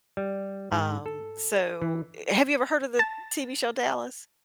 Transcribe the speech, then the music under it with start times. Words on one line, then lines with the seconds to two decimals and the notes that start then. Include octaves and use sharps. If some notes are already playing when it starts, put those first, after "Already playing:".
Um, so, eh have you ever heard of the TV show Dallas?
0.17 G3
0.72 G#2
1.06 A4
1.82 E3
2.99 A5